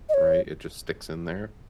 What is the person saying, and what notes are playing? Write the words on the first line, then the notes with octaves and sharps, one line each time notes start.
right? It just sticks in there?
D#5
C#5